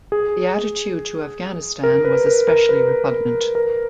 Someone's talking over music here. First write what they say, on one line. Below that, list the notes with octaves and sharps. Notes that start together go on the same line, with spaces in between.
The attitude to Afghanistan was especially repugnant.
G#4
A#4
B4
A#4
A#4
B4
A#4